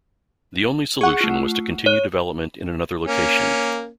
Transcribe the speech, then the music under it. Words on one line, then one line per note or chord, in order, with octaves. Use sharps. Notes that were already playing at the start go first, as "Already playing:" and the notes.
The only solution was to continue development in another location.
G#4 F#5 C#6
A3 F4
C#5 F#6
A#3 C#4